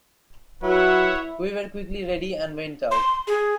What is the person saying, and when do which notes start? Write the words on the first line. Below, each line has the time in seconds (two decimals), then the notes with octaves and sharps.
We were quickly ready and went out.
0.63 F#3 E4 B4 C#5 E5 F#5
2.91 C6
3.27 G#4